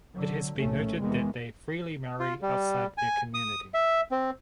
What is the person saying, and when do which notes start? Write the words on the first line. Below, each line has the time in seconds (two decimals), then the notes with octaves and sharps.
It has been noted that they freely marry outside their community.
0.13 D3 F#3
0.56 A#1 D#2 A2 A3 C#4
1.00 E2 C3 D#3 E3 G#3 B3
2.20 F4
2.42 G3
2.98 G#5
3.34 D#6
3.74 E5
4.11 C4